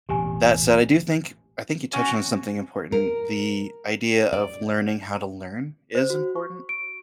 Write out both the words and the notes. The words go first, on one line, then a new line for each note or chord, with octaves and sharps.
That said, I do think I think you touched on something important. The idea of learning how to learn is important,
E1 A1 A#2 G4 G#5
C#4 F#4
A#4
D5
C5
F#4
C#6
D7